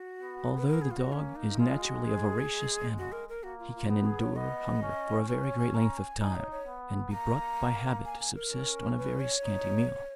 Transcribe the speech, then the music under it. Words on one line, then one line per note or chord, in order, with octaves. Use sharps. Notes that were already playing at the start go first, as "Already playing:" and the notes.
Although the dog is naturally a voracious animal, he can endure hunger for a very great length of time, and be brought by habit to subsist on a very scanty meal.
Already playing: F#4
B3
B4
A#4
G#4
F4
F#4
A#3 C#4
D#4
G#3 F4
F#4
G#4
G#3
F#4
A#4
A#4
A#3 F#4
F4
F4
B3 D#4
G#4
C#5
B3 D#5
C#4
C#4 B4
C#5
G#5
A#5
G#5
D#4 G#5
C#5
C#5
B3
A#3 A#5
G#5
G#5
A#4
C#4
B4
C#5
D#4